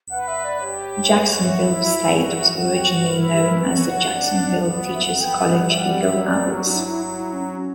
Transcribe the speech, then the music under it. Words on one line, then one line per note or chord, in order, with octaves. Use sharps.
Jacksonville State was originally known as the Jacksonville Teachers College Eagle Owls.
B4 F#5
E5
D5
G4 C#5
F#4 B4
C#5
E5
E4
F#4
F#4 F#5
G5
F#5
E4 A#4
B4
G4
A#4
F#4 B4
C#5
F#5
D4
B3
E5
B3 F#5
G5
F#5
G3 F#5
E5
F#5
F#3 E5
D5
F#4
D4
E4
E4
E4
C#4
C#4